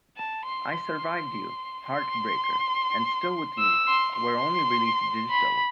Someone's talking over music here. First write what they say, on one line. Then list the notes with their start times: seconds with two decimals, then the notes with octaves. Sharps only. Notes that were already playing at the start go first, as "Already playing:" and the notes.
"I Survived You", "Heartbreaker" and "Still with Me" were only released digitally.
0.17 A5
0.44 C6
0.73 C6
1.88 C6
3.59 E6
3.87 C6
4.16 C6
5.30 B5